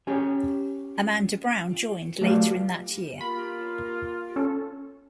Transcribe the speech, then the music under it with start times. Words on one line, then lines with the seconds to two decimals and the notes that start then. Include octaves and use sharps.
Amanda Brown joined later in that year.
0.07 C#4 G4 C#5 G#5
2.21 F#3 A3 G4 B4 D5 F5
3.21 A#3 F4 B5
4.36 C#4 A4